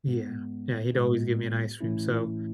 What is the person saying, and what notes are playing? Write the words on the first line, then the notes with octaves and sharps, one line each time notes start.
Yeah. Yeah, he'd always give me an ice cream. So,
G#2 G#3 B3
A2 G#3 B3 F#4
A2 E3 A3 C#4 E4